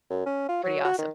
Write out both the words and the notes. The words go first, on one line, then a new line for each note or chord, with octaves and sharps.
pretty awesome.
F#2
C#4
F4
F#3
F#4
D#3